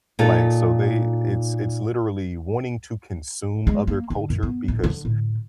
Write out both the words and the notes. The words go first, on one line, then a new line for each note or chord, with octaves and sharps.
like, so they it's it's literally wanting to consume other culture because,
A#2 D#4 F4 A4
G#3
A#3
D3
F#2
B3
A1
D3
A2